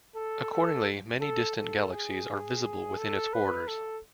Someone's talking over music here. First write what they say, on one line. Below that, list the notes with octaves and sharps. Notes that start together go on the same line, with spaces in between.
Accordingly, many distant galaxies are visible within its borders.
A4
A4
A4
A4
G#4
A4
B4
A4